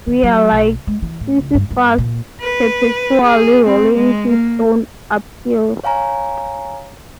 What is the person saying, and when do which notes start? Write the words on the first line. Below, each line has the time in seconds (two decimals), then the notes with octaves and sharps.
We are like Sisyphus perpetually rolling his stone uphill.
0.07 D#3
0.23 F#3
0.51 B1
0.87 G#3
1.02 E3
1.21 A2
1.38 C#2
1.55 G2
1.71 G2
1.98 A#2
2.41 B4
3.23 G#4
3.64 C4
3.95 G#3
4.30 A#3
5.84 C#5 F5 G#5 A#5